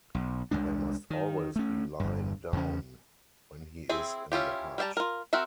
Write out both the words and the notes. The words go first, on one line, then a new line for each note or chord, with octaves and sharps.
They must always be lying down when he is in the hut.
B1
C2 F2 G#3 D4
D#3
A3 C#4
G1 G2
E2 C#3 C#4
C4 E4 G#4
C#4 E4 F4 G4
G3 G4 E5 A5 A#5
F4 A#4
C4 F#4 A#4 E5